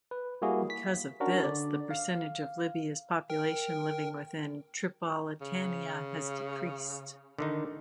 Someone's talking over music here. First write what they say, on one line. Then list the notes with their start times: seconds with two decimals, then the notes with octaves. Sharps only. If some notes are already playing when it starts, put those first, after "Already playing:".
Because of this, the percentage of Libya's population living within Tripolitania has decreased.
0.11 B4
0.42 G3 A#3 E4 F#4 G#4
0.70 B6
1.20 C#4 D4 F#4 A#4
1.43 D3 D5
1.91 F5
3.30 A#4 G5
5.41 C#3
7.39 D3 D#3 D#4